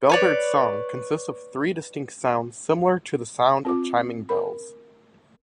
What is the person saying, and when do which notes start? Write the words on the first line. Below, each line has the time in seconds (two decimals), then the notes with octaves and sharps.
Bellbird song consists of three distinct sounds similar to the sound of chiming bells.
0.10 B4 C#5 D5
3.65 C4 F4 D6
4.29 A#4 B5